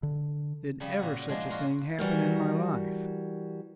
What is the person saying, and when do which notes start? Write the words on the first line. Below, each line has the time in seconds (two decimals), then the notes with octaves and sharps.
Did ever such a thing happen in my life?
0.03 D3
0.80 C#3 F3 G3 A5 B5
0.99 A#2 F#4
1.28 F3 G#3 D4 D#4
1.49 A#2 A#3 F4 F#4 D5
1.99 E3 G3 F#4 A#4